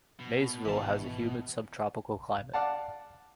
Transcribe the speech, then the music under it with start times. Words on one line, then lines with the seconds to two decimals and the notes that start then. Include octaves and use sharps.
Maysville has a humid subtropical climate.
0.20 B2
0.65 G#1 E3 A5
2.53 D5 F5 F#5 A5